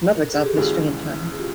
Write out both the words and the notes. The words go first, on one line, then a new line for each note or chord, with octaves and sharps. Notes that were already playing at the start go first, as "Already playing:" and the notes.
Another example is string interning.
Already playing: G#2
A#4
A4
G#4
G4 A4
E1 D#2 C#3 E3 G#3 F#4 G#4
G#4
F4 G4